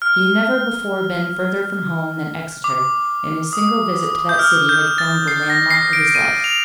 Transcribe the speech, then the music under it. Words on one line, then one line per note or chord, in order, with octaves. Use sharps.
He had never before been further from home than Exeter; and his single visit to that city had formed the landmark of his life.
F6
D6
D#6
G6
F6
G6
A6
C7
A#6
C7
D7
D#7
F7